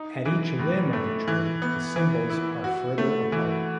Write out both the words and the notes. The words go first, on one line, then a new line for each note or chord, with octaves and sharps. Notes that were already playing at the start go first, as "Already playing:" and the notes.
At each "limb" of the tree, the symbols are further apart.
Already playing: D#4
E3
A2
A3
E3
B3
E3
E4
F#4
A3
E3